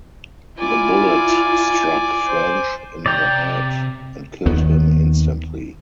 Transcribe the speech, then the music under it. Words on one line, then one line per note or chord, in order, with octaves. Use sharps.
The bullet struck French in the head and killed him instantly.
E4 F4 D5 G#5
C5
C3 D5 G5 A#5
D#2 D#3 B3